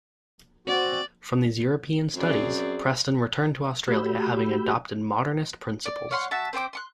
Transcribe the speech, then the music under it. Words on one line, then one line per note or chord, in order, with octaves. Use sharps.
From these European studies, Preston returned to Australia having adopted Modernist principles.
C4 F#4 D5
F#2 C4 G#4 D5
A3 F#4 G4 B5 E6 G6
D5
C#5 F5 F#5 C6
F#4 E5 A5
C4 C5 G5 D6
C6 C#6 F#6